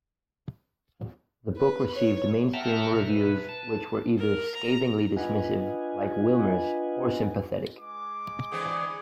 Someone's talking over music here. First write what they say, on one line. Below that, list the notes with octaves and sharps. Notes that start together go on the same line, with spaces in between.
The book received mainstream reviews which were either scathingly dismissive, like Wilmers, or sympathetic.
B4
C#5
E5 F#5 G5 A5 A#5 F6
B2
B4
A5
A#4
A#5
D4 F4 B4 D#5 F#5 G#5
G#3 D6
D3 E3 C4 G#4